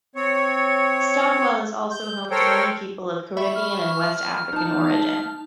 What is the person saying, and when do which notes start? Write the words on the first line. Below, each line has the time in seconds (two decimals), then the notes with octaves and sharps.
Stockwell is also home to many people of Caribbean and West African origin.
0.15 C4 C#5
1.91 G6
2.31 A4 A#4 C5 C#5 G5
3.37 E5 B5 C#6
3.55 F6
4.53 D#4 A5